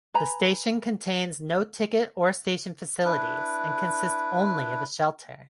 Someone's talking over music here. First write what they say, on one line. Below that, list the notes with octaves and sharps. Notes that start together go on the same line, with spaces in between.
The station contains no ticket or station facilities and consists only of a shelter.
B4 G#5 A#5 B5
D4 E4 B4